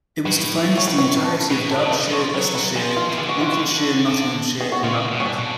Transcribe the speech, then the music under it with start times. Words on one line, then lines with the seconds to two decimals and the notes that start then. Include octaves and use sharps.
It was defined as the entirety of Derbyshire, Leicestershire, Lincolnshire, Nottinghamshire and Rutland.
0.25 A2 B4
0.77 C#5
0.88 B4
0.98 C#5
1.09 C#5
1.17 B4
1.24 A4
1.33 B4
1.51 B2 B4
1.71 A4
1.79 C#3
1.93 B4
2.06 F3
2.13 C#5
2.34 F#3 B4
2.55 B4
2.76 F3 G#4
2.97 F4
3.09 C#3
3.17 D3 G#4
3.29 F#4
3.41 F4
3.52 F#4
4.61 G#4
4.72 F#4
4.84 C#3 F4
5.12 B2
5.20 C#4
5.26 D4
5.39 B2